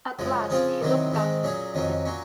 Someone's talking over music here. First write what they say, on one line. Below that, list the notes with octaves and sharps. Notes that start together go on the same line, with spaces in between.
At last he looked up.
F#2 C#3 F3 G#3
C#3 F3 C4 F4 G#4
C2 C3 D#3 F#3 C4
G#2 D#3 G#3 C4
A#2 F#3 C#4 G#4
F2 D#3 F#3 C#4
A#2 F#3 C#4